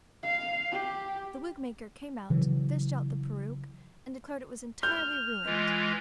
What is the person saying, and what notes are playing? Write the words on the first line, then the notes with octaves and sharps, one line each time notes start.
The wig-maker came out, fished out the peruke, and declared it was entirely ruined.
F5
G4
C#3 E3 F#3
F6 G6
E3 G#3 F4